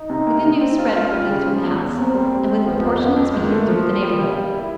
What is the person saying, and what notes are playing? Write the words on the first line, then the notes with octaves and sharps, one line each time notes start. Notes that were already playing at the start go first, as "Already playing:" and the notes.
The good news spread quickly through the house, and with proportionate speed through the neighbourhood.
Already playing: D#4
C3
A#3
C3
C4 C#4
F4
F4
G3
C#3
F3
E2
E2
A#3 C4
G3
G3
G3
F3 B3
F2
F2
F2
G#2 A#3
A3
F3
F3
G3
G3
G3
E4